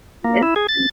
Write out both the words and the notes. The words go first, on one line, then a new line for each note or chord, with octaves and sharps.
this and
A#3
E4
G#4
A6